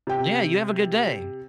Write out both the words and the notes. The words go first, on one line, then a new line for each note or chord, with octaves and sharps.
Yeah, you have a good day.
C3 G5